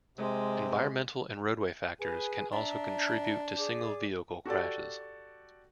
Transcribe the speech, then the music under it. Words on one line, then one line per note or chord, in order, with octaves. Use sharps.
Environmental and roadway factors can also contribute to single-vehicle crashes.
C3 G#3
G#4 B4 G#5
D4 E5 A#5
G#4 D5 D6
F#4 G4 A4 D5